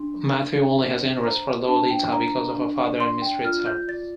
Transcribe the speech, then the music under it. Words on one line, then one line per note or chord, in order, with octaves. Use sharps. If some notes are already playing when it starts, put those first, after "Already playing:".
Mathieu only has interest for Lolita because of her father and mistreats her.
Already playing: D4 G4 C6
D4
C5
C5 A#5
D4 A5
G5
D4 A#5
D4
D5 C6
G5
F4 F6
G6
D5 A6